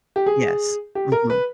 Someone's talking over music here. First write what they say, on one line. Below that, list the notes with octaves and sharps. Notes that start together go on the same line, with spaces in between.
Yes, mhm.
G4
G#4
G4
A#4
B4